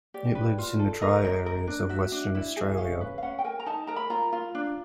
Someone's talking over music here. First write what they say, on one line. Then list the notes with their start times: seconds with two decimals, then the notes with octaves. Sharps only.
It lives in the dry areas of Western Australia.
0.14 G4 D5
0.35 B4
0.58 F4
0.79 A4
1.02 A#4 D#5
1.25 A#4
1.46 A#4
1.67 D4
1.89 F#4 E5
2.12 D4
2.35 E4
2.57 G#4
2.78 C#4 F5
3.01 B4
3.18 F5
3.23 C#4 F#5
3.39 G5
3.44 A#4 G#5
3.60 A#5
3.66 D#4 A5
3.87 A#4 A#5
3.96 B5
4.10 F4 A#5
4.33 F4
4.55 D4